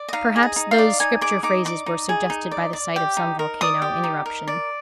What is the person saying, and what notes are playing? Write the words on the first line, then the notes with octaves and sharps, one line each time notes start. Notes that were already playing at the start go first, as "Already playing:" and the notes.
Perhaps those Scripture phrases were suggested by the sight of some volcano in eruption.
Already playing: D5
D#5
D#4 F5
G#4
D#5
D#4
F5
D5
D#4 G#5
G#4 D6
D#4 D6
D5 D6
D#4
G#4
D#4
D5
D5
G4
D#4
A#4
D5 D#6
G4
D#4
A#4
D5